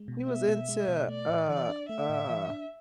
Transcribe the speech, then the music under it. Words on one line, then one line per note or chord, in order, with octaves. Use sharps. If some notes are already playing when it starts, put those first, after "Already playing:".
she was into, uh uh
Already playing: G#3
B2
B3 E5
B2
G#3
B2
A3 D5
A2
E3 D5
D4
A3 E5
A2
E3
D4